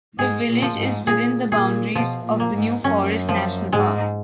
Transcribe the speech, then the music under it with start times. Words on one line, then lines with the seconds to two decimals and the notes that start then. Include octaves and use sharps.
The village is within the boundaries of the New Forest National Park.
0.18 G#2 G#4
0.48 A#2
0.62 F3
0.77 G#2
1.07 A#2 G#4
1.52 A#2 G#4
1.95 B2 F3
2.25 A#2
2.40 A#3
2.55 G#2
2.84 F#2 C#4
3.29 F3
3.73 G#2 G#3